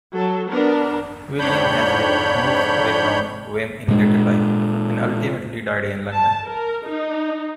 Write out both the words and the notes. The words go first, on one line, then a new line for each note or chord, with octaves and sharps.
William Hazlitt moved away from Wem in later life and ultimately died in London.
F#3 A4
B3 D4 A#4
F2 G#2 D4 C#5 B5 G6
A#2 G#3
A5
A#4
D#4